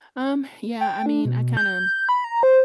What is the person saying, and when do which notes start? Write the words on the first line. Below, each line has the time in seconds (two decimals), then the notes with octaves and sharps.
Um, yeah, I mean, I kinda
0.81 G5
1.06 D4
1.25 B2
1.57 G6
2.09 B5
2.24 A#5
2.43 C5